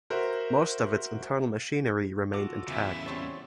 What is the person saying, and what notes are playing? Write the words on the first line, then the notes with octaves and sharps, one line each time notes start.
Most of its internal machinery remained intact.
F#4 A#4 C5 E5
F4 F#4 A4 D6
E2 C#3 E4 E5
C4 G4 C#5 D5